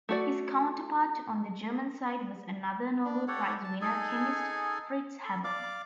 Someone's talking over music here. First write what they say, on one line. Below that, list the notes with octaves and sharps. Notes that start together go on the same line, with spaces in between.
His counterpart on the German side was another Nobel Prize-winning chemist, Fritz Haber.
A3 F#4 D5
D4
G4 A4 C#5 F#5
A5
D#4 G#4 A4 G#5
A4
D5 F5 D6